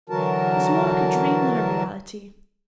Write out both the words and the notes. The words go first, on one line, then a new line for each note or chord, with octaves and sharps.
It was more like a dream than a reality.
D3 E3 F#3 F#4 A#4 A5